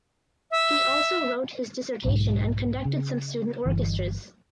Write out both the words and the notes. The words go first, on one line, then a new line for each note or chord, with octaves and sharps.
He also wrote his dissertation and conducted some student orchestras.
E5
B1 G#2
C#3
G1 E3